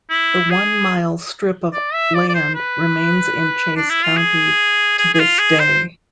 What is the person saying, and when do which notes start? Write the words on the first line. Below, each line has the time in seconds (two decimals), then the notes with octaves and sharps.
The one mile strip of land remains in Chase County to this day.
0.10 E4
0.51 G#4
1.73 D5
1.93 E5
2.14 D5
2.29 D5
2.34 C5
2.55 B4
3.77 D4
3.90 E4
4.04 F4
4.17 G#4
4.98 G#4
5.14 G#4
5.20 F4
5.39 G#4
5.59 C5